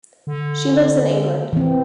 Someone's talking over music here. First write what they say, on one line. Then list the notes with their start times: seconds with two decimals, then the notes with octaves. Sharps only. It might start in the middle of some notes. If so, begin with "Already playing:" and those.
She lives in England.
0.27 D3
1.53 E3 C4